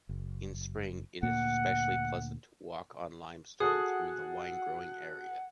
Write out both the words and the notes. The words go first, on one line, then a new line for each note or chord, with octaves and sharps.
In spring it is especially pleasant to walk on limestone through the wine-growing area.
F#1
D2 A#2 A#3 F#5
F#4 G#4 A4 F#5 D#6 F#6